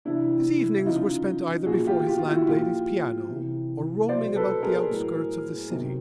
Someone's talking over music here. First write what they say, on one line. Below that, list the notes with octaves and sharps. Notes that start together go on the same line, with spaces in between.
His evenings were spent either before his landlady's piano or roaming about the outskirts of the city.
C3 E3 D4 E4
E4
C#3 F3 D#4 F4
A#2 F3 F#4 G#4
F4 G4
F4 G4
F4
E4 F#4
A#2 F3 F4 G4
C3 E3
B2 F#3 C5 D5
A4 B4
G#4 A#4
A2 F#3
C3 D#3 F#3